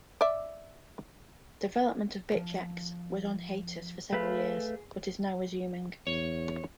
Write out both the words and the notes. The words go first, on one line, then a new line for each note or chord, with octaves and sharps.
Development of BitchX was on hiatus for several years but is now resuming.
D5 E5
F3
A3 G#4 B4 F5
E2 C#5